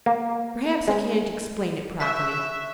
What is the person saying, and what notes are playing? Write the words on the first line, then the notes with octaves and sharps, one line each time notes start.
Perhaps I can't explain it properly.
A#3
G#3
E5 C#6 F#6 B6